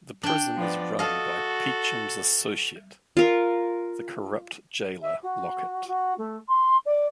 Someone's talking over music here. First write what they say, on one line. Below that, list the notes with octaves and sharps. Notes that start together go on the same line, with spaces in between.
The prison is run by Peachum's associate, the corrupt jailer Lockit.
D4 G5
F3 B3 D5
F#4 A4 D#5 F5
F4 A#4
E5
F#4
F#4
A3
C6
D5